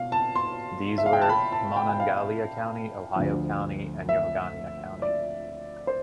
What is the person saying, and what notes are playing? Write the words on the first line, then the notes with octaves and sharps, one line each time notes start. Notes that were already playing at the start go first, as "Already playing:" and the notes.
These were Monongalia County, Ohio County, and Yohogania County.
Already playing: B2 F5
A5
C6
E5
F5
G5
A5
B5
A5
G5
G5
F5
D2 D3 F3
E5
D5
C5